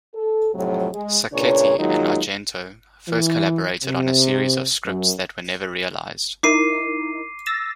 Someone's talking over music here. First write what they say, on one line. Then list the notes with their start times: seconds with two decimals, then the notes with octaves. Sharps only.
Sacchetti and Argento first collaborated on a series of scripts that were never realized.
0.15 A4
0.54 F2 A2 C3 F#3
0.92 G#3
1.32 A#2 C#3 D4 B4 C#5
1.78 D#3 F#3 G#3 A#3 D#4 F4
3.09 E3
3.85 C3
4.86 F#2
6.43 D#4 E4 A#4 D6 C7 D#7
7.47 E6 A6 A#6